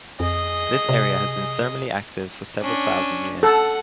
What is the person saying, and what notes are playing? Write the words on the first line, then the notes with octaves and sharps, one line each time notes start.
This area has been thermally active for several thousand years.
F2 G#4 D#5
C3
C#4 D4
A4 F#5